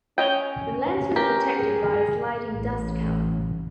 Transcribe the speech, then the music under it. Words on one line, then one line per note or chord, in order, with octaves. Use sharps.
The lens was protected by a sliding dust cover.
C#4 C#5 D#5 G5
G4 A#4
G#4
A1 A2